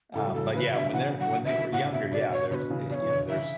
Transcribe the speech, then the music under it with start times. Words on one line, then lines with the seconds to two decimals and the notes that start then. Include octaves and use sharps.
uh but yeah, when they're when they were younger, yeah, there's, eh you know, there's
0.15 A2 C#3 A4
0.27 F#3
0.34 C#3 E3 A4
0.54 C#3 E3 B4
0.74 B2 D3 E5
0.93 C#3 E3 F#5
1.19 D3 F#3 F#5
1.46 B2 D3 E5
1.72 A2 C#3 F#5
1.92 B2 D3 E5
2.12 B2 D5
2.32 C#5
2.51 B2 D3 C#5
2.55 B4
2.70 C#3 E3
2.90 B2 C#5 D5
3.01 E3
3.10 B2 D3
3.29 C#3 E3 E5